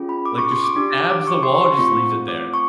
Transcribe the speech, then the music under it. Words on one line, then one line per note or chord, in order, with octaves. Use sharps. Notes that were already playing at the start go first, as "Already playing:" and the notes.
Like, just stabs the wall and just leaves it there,
Already playing: C#4 F4 G#4
B5
D6
C#6
C6
D6
D4 G4 D6
D6
C#6
C6
C#6
C6
A3 C4 F4 C#6
D6
C#6